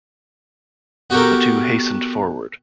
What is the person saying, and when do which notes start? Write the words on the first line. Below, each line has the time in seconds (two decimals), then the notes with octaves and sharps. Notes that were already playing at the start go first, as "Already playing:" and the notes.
The two hastened forward.
1.10 B3 F#4 G4 A4 A#4